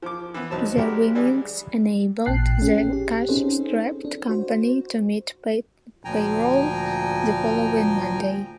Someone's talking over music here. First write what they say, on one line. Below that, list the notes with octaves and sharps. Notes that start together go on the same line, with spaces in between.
The winnings enabled the cash-strapped company to meet payroll the following Monday.
F3 D6
E3 B3
B1 F#3 C4 A5
G#3 D4 F#4 G4 A#4
E3 G3 D4 G#4
A1 A#2 G5 A5 F#6 C7
C#4 G#4
G4
C4 C#4 D#4 G#4 A4 C5
D4
F#4 C5
D2 A#2 F3 G5 G#5 A#5